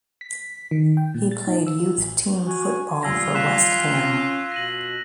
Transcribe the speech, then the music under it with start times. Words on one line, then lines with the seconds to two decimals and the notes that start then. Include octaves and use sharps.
He played youth team football for West Ham.
0.21 B6
0.71 D#3
0.97 G5
1.14 A#2
1.31 A6
1.47 D#4
1.67 E6
1.80 F4
1.98 A1
2.47 F#4 G#5
3.03 G3 F4 E6 G#6 A#6
3.35 F5 F#6 B6 E7
3.97 C#4
4.52 B2 A#6 D#7 F#7